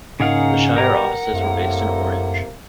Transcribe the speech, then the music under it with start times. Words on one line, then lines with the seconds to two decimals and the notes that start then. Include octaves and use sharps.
The shire offices were based in Orange.
0.20 G#2 C#3 A#3 D#4 G#4 F5 F#5
0.76 B2 G3 G4 A#4 A#5
1.33 F#2 A2 C3 A#3